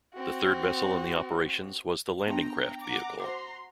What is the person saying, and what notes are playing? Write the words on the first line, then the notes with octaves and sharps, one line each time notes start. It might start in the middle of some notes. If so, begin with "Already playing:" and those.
The third vessel in the operations was the Landing Craft Vehicle.
C4 F#4
B3 D4 G5 A#5
F#5 A#5 D6
F#4 C5 A#5 C6 D6